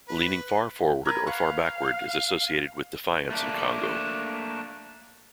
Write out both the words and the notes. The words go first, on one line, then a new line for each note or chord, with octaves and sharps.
Leaning far forward or far backward is associated with defiance in Kongo.
B4
A#4 B4 G#6
B4 F5 F#5 C#6
A3 A#3 D4